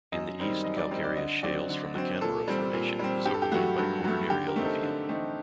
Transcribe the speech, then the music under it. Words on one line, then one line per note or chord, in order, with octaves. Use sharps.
In the east calcareous Shales from the Canberra Formation is overlain by Quaternary alluvium.
F#2 D#5
D#3 G3 C4 D#4
F#2 D#5
D5
D#3 G3 C4 D#4
D5
D3 D#5
F#3 C4 D5
D3
F#3 C4
A#2 A4
G3 C4
A#2
G3 C4
G2 G4
A4
G4
F#3 A3 F#4
G2
F#3 A3
D3 G4
A#4
A3 C4 D#4
A4
D3
A3 C4 D#4